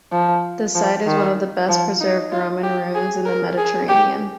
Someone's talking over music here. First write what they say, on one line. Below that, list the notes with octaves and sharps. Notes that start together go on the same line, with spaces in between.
The site is one of best preserved Roman ruins in the Mediterranean.
F3
F3
D#3
F3
D#4
F4
G4
G#4
A#4
G#4
G4